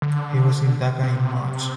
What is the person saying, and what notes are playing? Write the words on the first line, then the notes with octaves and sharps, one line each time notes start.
He was in Dhaka in March.
D3
C3